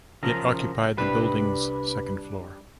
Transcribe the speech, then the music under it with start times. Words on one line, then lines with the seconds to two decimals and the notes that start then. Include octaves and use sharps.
It occupied the building’s second floor.
0.23 C#3 F3 A#4
0.97 C2 G3 D4 B4